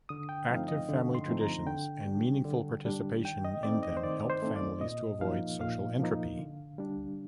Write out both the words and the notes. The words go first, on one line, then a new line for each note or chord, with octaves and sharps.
Active family traditions and meaningful participation in them help families to avoid social entropy.
D3 D#6
G5
F3 A3 C4 D#4 F5
D#5
D3
C6
F3 A3 C4 D#4
A#5
D3 G5
G3 D4
D3
G3 D4
D#3 G5
D#5
A3 C4 D#4 D5
D#5
C5
D#3 D5
C5
A3 C4 D#4
D5
A#2 D#5
F3 A#3 D#4 F5
A#2 F5
F3 A#3 D#4
D3
G3 D4